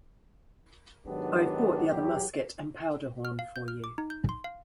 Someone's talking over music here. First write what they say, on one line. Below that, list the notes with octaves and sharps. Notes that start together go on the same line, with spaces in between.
I've brought the other musket and powder-horn for you.
G#2 D#3 F#3 B3 D4 G4
E2 F#3 G4
F6
F5
G6
F6
D6
D#4
G6
C6
F5